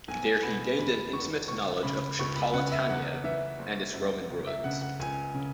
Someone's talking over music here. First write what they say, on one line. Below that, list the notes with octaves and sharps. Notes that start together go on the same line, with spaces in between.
There he gained an intimate knowledge of Tripolitania and its Roman ruins.
B1 G#5
B2 B5
E1 B5
E2 C#6
C#2 C#6
C#3 B5
C#2 C#6
B5
C#3 F#5
E5
E2 F#5
E3 E5
F#1
F#2
C#2
E5
C#3 F#5
F#5
C#2 G#5
C#3